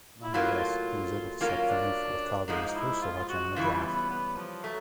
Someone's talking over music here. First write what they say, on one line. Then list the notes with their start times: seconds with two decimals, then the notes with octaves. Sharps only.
Nonetheless, he was able to select Phaneuf with Calgary's first selection in the draft.
0.23 E4
0.33 A2 F#3 A#3 F4
0.60 F4
1.41 F#3 A#3 C#4 F4 A#4
1.68 D4
2.48 G#2 F3 G#3 D#4
2.64 D#4
2.75 E4
3.02 F4
3.18 F4
3.29 F#4
3.56 C#3 E3 G3 F4
3.83 B3
4.09 B3
4.36 F3
4.63 F#3 A3